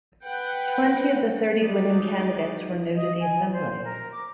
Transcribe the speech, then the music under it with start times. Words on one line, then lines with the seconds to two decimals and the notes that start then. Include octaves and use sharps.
Twenty of the thirty winning candidates were new to the Assembly.
0.24 B4 F#5 G5
1.57 F#3 G#3 D#4 D5
2.95 D#5
3.20 G#5
3.52 C5
3.84 A#4
4.11 D6